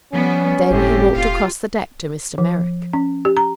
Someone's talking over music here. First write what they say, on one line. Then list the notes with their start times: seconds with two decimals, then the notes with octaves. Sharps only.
Then he walked across the deck to Mr. Merrick.
0.13 F3 G3 B3 C#4
0.70 G1 A2 C3 G4
1.16 E1 F4 F5
2.38 F3
2.93 C#4
3.25 G4
3.37 A#5